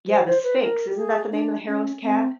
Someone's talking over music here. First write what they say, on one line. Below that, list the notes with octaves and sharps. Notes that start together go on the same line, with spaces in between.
Yeah, the Sphinx, isn't that the name of the hairless cat?
C5
C5
B4
A#4
G4
G#4
D4
C#4
C4